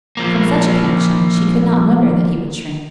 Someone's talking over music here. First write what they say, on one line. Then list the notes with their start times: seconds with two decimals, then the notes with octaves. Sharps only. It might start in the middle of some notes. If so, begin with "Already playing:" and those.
From such a connection she could not wonder that he would shrink.
0.17 F3 A#3